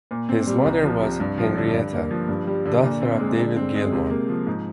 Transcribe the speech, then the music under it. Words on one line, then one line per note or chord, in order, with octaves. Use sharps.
His mother was Henrietta, daughter of David Gilmour.
A#2
C4
G3
C2
F3
C3
G2
F3
D3
G2
A#3
F3
G2
G3
D3
A#2
C4
G#3
D3
C4
G#3
C3
A#3
F3
G#2